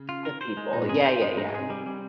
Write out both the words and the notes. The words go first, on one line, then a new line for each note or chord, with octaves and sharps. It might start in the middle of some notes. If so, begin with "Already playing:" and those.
The people. Yeah, yeah, yeah
Already playing: C#3
F4
A#4
C5
G#3
A#2 D#4
G#2
F2 G#4
C5
G2 G#3
G2 D#4
G#2
C3 G#4
C3 G3
G3